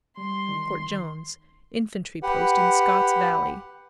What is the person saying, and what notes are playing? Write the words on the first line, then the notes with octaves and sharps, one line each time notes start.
Fort Jones.--Infantry post, in Scott's Valley.
G3 C6
D#3
G4 B4 F#5